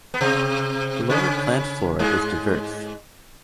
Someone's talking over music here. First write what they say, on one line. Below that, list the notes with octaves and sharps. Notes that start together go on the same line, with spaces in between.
The lower plant flora is diverse.
B3
C3 C4
C#3 C#4
G#2 G#3